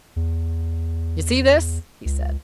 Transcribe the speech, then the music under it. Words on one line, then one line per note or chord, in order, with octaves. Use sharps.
"You see this?" he said.
E2
C#2